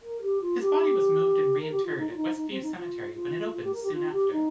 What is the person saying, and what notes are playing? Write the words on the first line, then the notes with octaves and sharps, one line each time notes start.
His body was moved and reinterred at Westview Cemetery when it opened soon after.
A#4
G4
F4
G4
A#4
G4
F4
D#4
F4
D#4
D#4
C4
D#4
F4
F4
F4
G4
A#4
G4
F4
G4
D#4